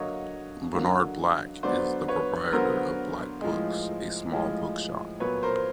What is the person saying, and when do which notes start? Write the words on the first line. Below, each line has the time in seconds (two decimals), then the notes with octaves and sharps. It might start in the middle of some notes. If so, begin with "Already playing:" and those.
Bernard Black is the proprietor of Black Books, a small bookshop.
Already playing: D3 F#3 A#3 C#5 D#5
0.74 D3 F#3 A#3
1.63 D3 F#3 B3 C5 D5
2.08 B4 C#5
2.53 D3 F#3 B3 A#4 C5
3.41 A2 F3 G#3
4.32 A2 F3 G#3
5.20 A#2 F#3 B3 B4 C#5
5.43 A#4 C5